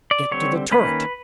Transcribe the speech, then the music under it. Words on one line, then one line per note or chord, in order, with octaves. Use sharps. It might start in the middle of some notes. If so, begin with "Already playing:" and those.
Get to the turret!
D5
D3 G3 C4 C#5
D#3 G3 A#3 C#4 B4